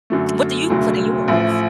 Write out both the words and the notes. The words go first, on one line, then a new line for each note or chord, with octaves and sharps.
What do you put in yours?
F#2 D3 F#3 A3
E1 D2 C#3 F#3 A3
A1 A2 F3